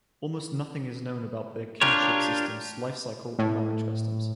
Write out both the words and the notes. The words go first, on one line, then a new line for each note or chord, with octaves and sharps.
Almost nothing is known about their kinship systems, life cycle, or marriage customs.
D4 F4 G4 A#4 C#5
A2